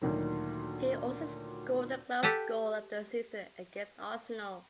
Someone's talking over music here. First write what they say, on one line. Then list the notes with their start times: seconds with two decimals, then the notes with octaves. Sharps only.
He also scored the club's goal of the season against Arsenal.
0.02 D2 A#2 D#3 F#3
2.23 G4 A4 B4 F#5